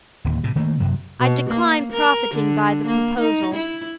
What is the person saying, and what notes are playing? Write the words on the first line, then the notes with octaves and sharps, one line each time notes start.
I decline profiting by the proposal.
D1 D#2
A2 C3
D#3 A3 A#3
F#2 C3 F#3
B2
A#3
A#4
D3
A#3
D#4
E4